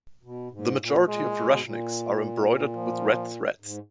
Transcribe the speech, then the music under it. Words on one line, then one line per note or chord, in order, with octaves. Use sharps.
The majority of rushnyks are embroidered with red threads.
B2
G#2
A#2
B2
A#2 G#3
B2
G#2
A#2
F3
G#2